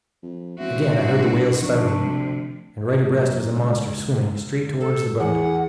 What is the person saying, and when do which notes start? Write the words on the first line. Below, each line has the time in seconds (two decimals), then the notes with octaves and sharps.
Again I heard the whales' spouting, and right abreast was a monster swimming straight toward the boat.
0.23 F2
0.58 E1 C4 F#4 E5
0.99 G2
1.28 E4
1.62 C3 D#3 F3 D4 C#6
2.03 D2 C4
3.13 F#2 A#3
3.56 C#2
4.80 A4
5.20 E2 E3 G#4 F#5